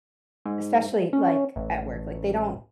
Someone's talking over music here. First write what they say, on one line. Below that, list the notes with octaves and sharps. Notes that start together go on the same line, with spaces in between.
especially, like, at work, like, they don't
G#2
C#4
A1